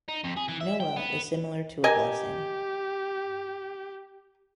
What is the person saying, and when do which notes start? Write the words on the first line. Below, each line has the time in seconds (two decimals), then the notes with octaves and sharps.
"Noa" is similar to a blessing.
0.09 D#4
0.24 F2
0.37 G#4
0.49 E3
0.61 E5
0.80 G5
0.96 B3
1.84 G4 A#4 D#5 G#5